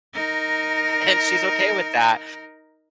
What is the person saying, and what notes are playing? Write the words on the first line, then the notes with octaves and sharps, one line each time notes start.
and she's okay with that,
D#4 A#4